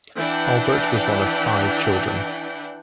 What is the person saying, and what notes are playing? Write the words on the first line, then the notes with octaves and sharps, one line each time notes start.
Albert was one of five children.
E3 D4 F#5 G5